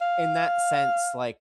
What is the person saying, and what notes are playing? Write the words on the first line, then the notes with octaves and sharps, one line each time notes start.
in that sense, like
F5